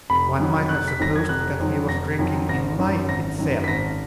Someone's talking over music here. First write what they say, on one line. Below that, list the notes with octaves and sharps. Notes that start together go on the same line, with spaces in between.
One might have supposed that he was drinking in life itself.
F1 B5
F2 D#3 F#3
F1 F#6
B6
F2 D#3 F#3 A#6
G#6
F1 F#6
F2 D#3 F#3
F1 A#6
F2 D#3 F#3
G#1 A#6
F#2 D#3 F#3
G#1 A#6
F#2 D#3 F#3
B6
G#1 A#6